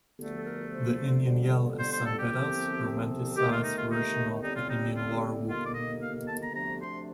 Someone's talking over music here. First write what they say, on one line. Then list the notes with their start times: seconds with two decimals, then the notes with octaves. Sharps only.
The Indian Yell is San Beda's romanticized version of the Indian war whoop.
0.20 D2 D3 F3 A3
0.38 A4
0.46 A#4
0.72 C5
1.26 F2 D3 G3
1.78 C5
1.92 C5
2.05 A4
2.18 G4
2.32 C2 C3 F3 C4
3.36 D#2 D#3 A3 G4
3.51 F4
3.63 D#4
3.76 F4
3.89 D#4
4.42 A2 G3 C4 D#4
4.55 F4
4.68 D#4
4.95 F4
5.48 D#2 D#3 A#3 F4
5.64 D5
5.74 D#5
6.01 F5
6.27 A5
6.41 A#5
6.54 D2 C3 F3 A3 D4 A#5
6.81 C6